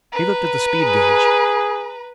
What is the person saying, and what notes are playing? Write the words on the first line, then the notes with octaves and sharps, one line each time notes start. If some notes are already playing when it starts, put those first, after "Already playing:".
He looked at the speed gage.
B4 A#5
G#4